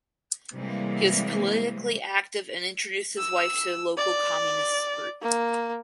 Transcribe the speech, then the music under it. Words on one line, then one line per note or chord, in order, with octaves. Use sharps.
He was politically active and introduced his wife to the local Communists group.
C3 E3 G3 G#3 A#3
E6
D5
A#3